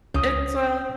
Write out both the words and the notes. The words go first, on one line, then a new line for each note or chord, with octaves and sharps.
it's, uh
C#2 C#4 F5 D#6 G6